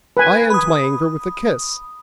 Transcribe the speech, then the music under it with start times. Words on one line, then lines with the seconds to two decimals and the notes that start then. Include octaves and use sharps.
I end my anger with a kiss.
0.17 B4 G#5
0.50 B5 D#6